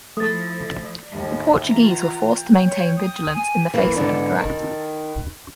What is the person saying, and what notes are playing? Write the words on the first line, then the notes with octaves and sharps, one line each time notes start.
The Portuguese were forced to maintain vigilance in the face of the threat.
F3 A3 E4 D#6 A6
D#2 A2
E3 F4 A#5
C#5
D#6
G#5
E3 A#3
G#2 D3 B3 D4
D#3